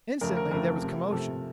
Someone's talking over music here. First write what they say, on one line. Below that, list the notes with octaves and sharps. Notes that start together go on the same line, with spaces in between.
Instantly there was commotion.
F2 C#3 F3 A3 A#4
A#4
F2 C#3 F3 A3 A#4
C3 F3 A3
C3 F3 A3 A4